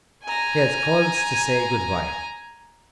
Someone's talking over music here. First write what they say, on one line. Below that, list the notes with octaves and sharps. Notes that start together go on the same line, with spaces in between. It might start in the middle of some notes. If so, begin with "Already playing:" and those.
She had called to say good-by.
G#5 A#5